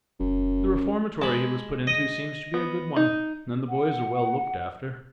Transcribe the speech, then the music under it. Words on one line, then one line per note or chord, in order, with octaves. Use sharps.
The reformatory he was put into seems to be a good one, and the boys are well looked after.
F1 F#2
G#3 A5 B5
D#5 D#6
B3
D#4
F#5